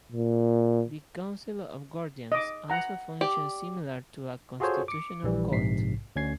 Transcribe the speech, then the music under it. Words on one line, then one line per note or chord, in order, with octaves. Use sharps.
The Council of Guardians also functions similar to a constitutional court.
A#2
D#5 D6
F#5 A#5
G4 D5
F4 F#4 G#4 A4 C5 C#5
D6 C#7
A#1 E3 G3
A#1 G#2 C3 B6 C7
D2 C#4 G#6 C7